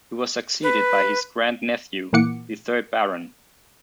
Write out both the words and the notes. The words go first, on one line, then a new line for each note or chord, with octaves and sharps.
He was succeeded by his grandnephew, the third Baron.
B4
A#2 E3 A#3 F#5 D6 C#7